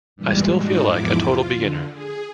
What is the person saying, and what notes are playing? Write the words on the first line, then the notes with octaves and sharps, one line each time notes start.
I still feel like a total beginner.
G2 A#2 E3 G3 G#3
G#2 D4 D#4 F#4
E2 G#2 F3 E4 D6
F4
D3
G#4